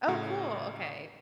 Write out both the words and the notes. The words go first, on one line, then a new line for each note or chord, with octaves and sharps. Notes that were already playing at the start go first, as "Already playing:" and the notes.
Oh, cool, okay.
A2 C#3 C#4 A#5